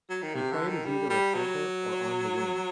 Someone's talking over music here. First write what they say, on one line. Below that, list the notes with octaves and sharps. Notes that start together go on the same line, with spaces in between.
He played as either a centre or on the wing.
F#3
D#3
C3
D3
D#3
G3
G3
F#3